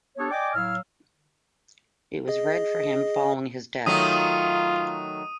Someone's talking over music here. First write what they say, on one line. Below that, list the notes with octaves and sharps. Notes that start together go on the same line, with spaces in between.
It was read for him following his death.
B3 D4 G4 A4 C#5
D5 D#5 G5 G#5 D6
A2 F#3 C#5 F5 E6 F6
G#4 D#5
D#3 F#3 A3 F4 D#6 D#7